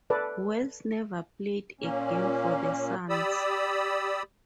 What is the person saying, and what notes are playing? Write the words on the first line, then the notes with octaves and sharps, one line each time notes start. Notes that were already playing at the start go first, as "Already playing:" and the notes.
Wells never played a game for the Suns.
A4 B4 D5
A#2 A#3 C#4
G4 D5 B5 D#6 E6